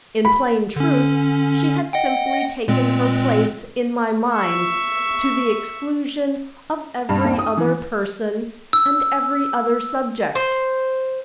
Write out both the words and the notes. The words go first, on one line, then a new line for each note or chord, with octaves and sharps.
In plain truth, she had simply taken her place in my mind, to the exclusion of every other person and every other subject.
B5
D3 C#4
D#5 F#5 G5
A#2 G#3 C4
E5 C#6
G2
D#2
D#6
E3
E6
C5